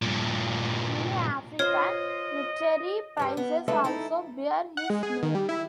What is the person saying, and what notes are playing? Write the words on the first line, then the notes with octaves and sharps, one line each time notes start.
Many African literary prizes also bear his name.
G2 A#2
F4 C5 C#5 D#5
E2 G2 G3
B3
G#3 A3 D4 A4 B4 E5
D#4 E4 A4
F#5
G#3
G#4
D#3
G3
E4